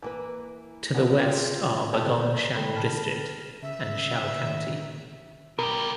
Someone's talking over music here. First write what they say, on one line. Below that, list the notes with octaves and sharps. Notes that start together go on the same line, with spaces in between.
To the west are Bagongshan District and Shou County.
E3 A#3 B4
B3 D4 E4 B4
F4 G4 A#4
C4 G4 A4 C#5 D5
D3 G#3 A4 G5 B5
A4 A5 F6 A6
C#3 E5
D#3
B2 G4 A#4